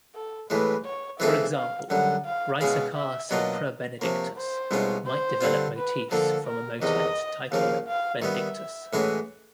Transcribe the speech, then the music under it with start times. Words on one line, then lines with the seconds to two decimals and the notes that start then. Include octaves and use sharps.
For example, "Ricercar sopra Benedictus" might develop motifs from a motet titled "Benedictus".
0.14 A4
0.50 A2 E3 G#3 B4
0.85 C#5
1.20 E3 G#3 C4 F4 A4 E5
1.55 F5
1.90 F#2 D3 G3 F#5
2.26 F5
2.60 B2 G#3 C#4 E4 G#4 F5
2.96 E5
3.31 B2 F#3 A#3 D4 F4 D#5
4.00 C3 F3 A#3 C#5
4.36 C5
4.71 C2 B2 G#3 C#4 F4
5.06 C5
5.41 G2 D3 G3 C4 F4
5.77 B4
6.11 D3 F3 A#3 A4
6.47 A#4
6.81 E2 C3 D#3 D#5
7.52 D#2 C#3 F3 A#3 F5
7.87 F5
8.22 D#3 G3 B3 E5
8.93 A2 E3 G#3 C#4 F#4